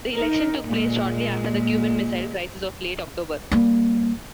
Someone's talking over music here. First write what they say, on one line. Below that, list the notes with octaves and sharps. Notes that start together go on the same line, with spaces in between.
The election took place shortly after the Cuban Missile Crisis of late October.
D#4 A#4
A#2 G#3
G3 A#3